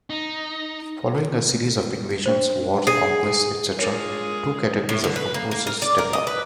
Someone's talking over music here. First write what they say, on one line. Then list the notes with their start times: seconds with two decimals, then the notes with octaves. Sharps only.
Following a series of invasions, wars, conquests, etc., two categories of composers developed.
0.10 D#4
2.26 D4 C5
2.87 G#4 C7
3.79 G#3 D4 F4 G#4 A#4 C#5
4.89 A2
5.04 D3
5.16 B4
5.34 A#3
5.51 A#3
5.67 A#4
5.82 D5
5.98 A#4
6.13 D#5
6.27 B4